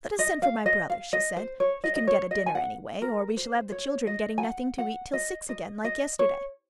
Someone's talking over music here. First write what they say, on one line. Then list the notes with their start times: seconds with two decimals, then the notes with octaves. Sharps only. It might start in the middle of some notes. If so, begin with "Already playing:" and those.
"Let us send for my brother," she said; "he can get a dinner anyway, or we shall have the children getting nothing to eat till six again, like yesterday."
0.19 D#5
0.42 F5
0.66 D#5
0.90 F5
1.13 D#5
1.37 C5
1.60 C#5
1.84 D#5
1.96 D#5
2.07 C#5
2.31 D#5
2.46 G#5
2.55 F#5
3.02 A#4
3.37 C5
3.72 C#5
4.07 D#5
4.38 G#5
4.43 F#5
4.78 F#5
5.13 D#5
5.49 D#5
5.84 D#5
6.19 C#5